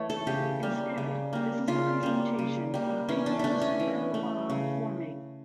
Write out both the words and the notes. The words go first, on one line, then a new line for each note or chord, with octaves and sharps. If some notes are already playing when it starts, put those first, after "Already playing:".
Instead, this is a presentation of pinyin's erhua forming.
Already playing: E3 A3 C#5
A4
C#3 G4
G3 A#3
C#3
G3 A#3
C#3 F4
G3 A#3
C#3
G3 A#3
E3 C#4
D4
A3 D4 E4
C#4
E3
A3
C#3